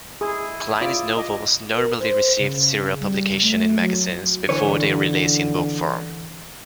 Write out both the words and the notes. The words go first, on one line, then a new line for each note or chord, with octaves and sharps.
Kline's novels normally received serial publication in magazines before their release in book form.
E4 G#4 D#6
F4 D5 D6
D#5 D6
A#4
C5
C#3
G3
A3
F#3
D3 E3 B4 C#5